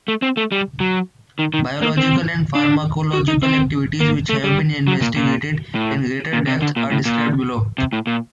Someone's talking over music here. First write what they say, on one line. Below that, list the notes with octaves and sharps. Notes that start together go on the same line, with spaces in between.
Biological and pharmacological activities which have been investigated in greater depth are described below.
A3
C4
A3
G3
F#3
D#3
D#3
A#3
C4
D4
F#4
D#4
C4
A#3
A3
G3
F#3
A#2
A#2
A2
A#2
C3
D3
A#2
A2
A#2
C3
A2
A#2